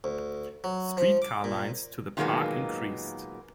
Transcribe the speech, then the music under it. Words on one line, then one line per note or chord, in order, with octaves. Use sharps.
Street car lines to the park increased.
D2
F#3
F3
D6
A#2
A#2 D#3 F#3 G#3 A#3 B3